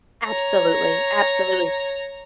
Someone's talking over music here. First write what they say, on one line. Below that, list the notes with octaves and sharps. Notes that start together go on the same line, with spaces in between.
Absolutely, absolutely,
C#5 A#5